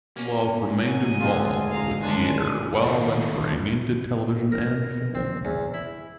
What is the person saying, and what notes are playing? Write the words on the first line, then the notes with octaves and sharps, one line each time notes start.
Olaf remained involved with theatre while venturing into television and film.
A#3 C#4
F#3 D#5 G#5
D2 G#2 D3 D#4 F4 G#4
F5 A#5
D#2 G#3 D4 G#5 A5
D#3 F4 A4
A#4
C4
E2
E4